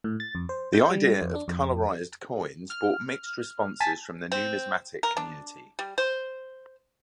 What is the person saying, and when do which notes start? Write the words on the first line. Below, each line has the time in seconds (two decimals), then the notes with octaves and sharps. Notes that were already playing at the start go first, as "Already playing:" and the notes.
The idea of colorized coins brought mixed responses from the numismatic community.
0.04 A2
0.20 A6
0.35 F2
0.49 C5
0.73 G6
0.90 G3
1.22 F2
1.35 D4
1.48 F2
2.70 F6
3.80 G#5 A5 A6 B6
4.32 C4
5.03 A#4
5.17 D4
5.79 G3
5.98 C5